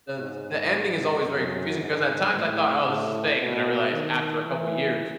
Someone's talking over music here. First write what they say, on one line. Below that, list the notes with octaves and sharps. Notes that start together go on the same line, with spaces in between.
The the s the ending is always very confusing, 'cause at times I thought, "Oh, this is fake." And then I realized after a couple years
G#2
F#2
G#2
A2
A2
B2
D#3
E3